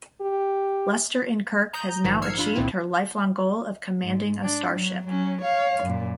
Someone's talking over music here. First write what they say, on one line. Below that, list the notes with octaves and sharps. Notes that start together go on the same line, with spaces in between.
Lester-in-Kirk has now achieved her lifelong goal of commanding a starship.
G4
A#5 D#6 G6
A#1 G#2 D#3 F3
E6 F6 G#6 C7 C#7
G3 D4 F4 B5
C2 F2 A#2 D#3 C4 E4
G#2
D4
F#3
F#3 C#4
C#5 F5
F#2 A#2